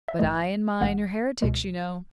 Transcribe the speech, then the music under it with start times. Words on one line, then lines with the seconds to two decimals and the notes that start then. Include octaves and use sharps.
"But I and mine are heretics, you know!"
0.08 E5
0.19 A1 G#2 E3 A3 D#5
0.81 A1 G#2 E3 A3 F#5
1.42 C#2 B2 G#3